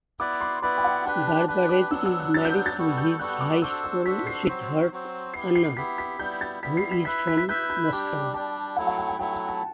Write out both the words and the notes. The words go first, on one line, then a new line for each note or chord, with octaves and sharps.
Barbarez is married to his high-school sweetheart Ana, who is from Mostar.
B3 E4 B4 D5 D6
C6
B3 E4 B4 D5 B5
G5
F#5
D4 G4 B4 G5
A5
D4 G4 B4 A5
D6
F#3 B3 D4 E6
E6
F#6
F#3 B3 D4 A6
G6
F#6
A6
G3 B3 F#4 A4
G6
G3 B3 F#4 A4 F#6
D6
D4 F#4 A4 C5 E6
E6
D4 F#4 A4 C5 B6
C7
F#3 C4 F#4 C5
F#3 C4 F#4 C5
B3 E4 G4 C7
C7
B3 E4 G4 B6
B6
G3 B3 E4 G6
A6
G3 B3 E4 B6
C7
B6
E4 B4 E5 B6
B6
B6
E4 B4 E5 G6
G6
G3 D4 G4
G3 D4 G4 A5
F#3 A3 E4 F#5
F#5
G5
G5
F#3 A3 E4 G5
G5
A5